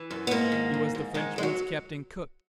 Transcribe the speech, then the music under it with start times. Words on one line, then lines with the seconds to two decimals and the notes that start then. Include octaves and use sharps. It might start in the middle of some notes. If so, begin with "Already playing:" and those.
He was the Frenchman's Captain Cook.
Already playing: E3
0.11 F#2
0.27 B3
0.31 G#2 A#3
0.52 D#3
0.74 G#2
0.95 G#2
1.14 D#3 G#3
1.36 D#3 G#3
1.43 F#3